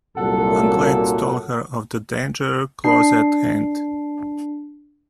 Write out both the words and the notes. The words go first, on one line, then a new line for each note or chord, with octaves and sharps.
One glance told her of the danger close at hand.
C2 F#2 A#2 A4 F#5
D4 C7